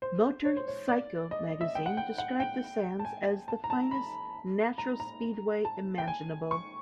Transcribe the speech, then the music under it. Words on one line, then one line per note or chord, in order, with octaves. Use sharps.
"Motor Cycle" magazine described the sands as "the finest natural speedway imaginable".
C5
C#5
C5
C#5
D5
D#5
E5
G5
F#5
G5
F#5
G5
A5
G#5
A5
A#5
A5
B5
A#5
A#5
A5
G5
G#5
C#6